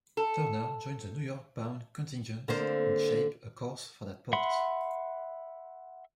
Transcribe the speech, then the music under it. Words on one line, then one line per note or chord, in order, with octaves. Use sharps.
"Turner" joined the New York-bound contingent and shaped a course for that port.
A4
D3 A#3 C4
E5 F#5 B5 C6